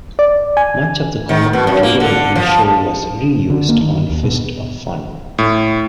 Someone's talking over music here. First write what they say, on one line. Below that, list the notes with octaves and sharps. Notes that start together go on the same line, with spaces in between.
Much of the comic material in the show was re-used on "Fist of Fun".
D5
G#5
D#3
B2
F#2
A#3
D3
F3
D3
A#3
D#3
D#2
B2
A2